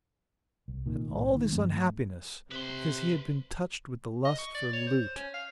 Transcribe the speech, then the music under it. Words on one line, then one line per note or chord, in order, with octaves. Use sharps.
And all this unhappiness because he had been touched with the lust for loot.
C2
A#2 D#3
B1 A2
D#3
G2 F3 A3 C4
C3 B4 C6
D#5
C#6
D5
C#5
C5
C#4
F5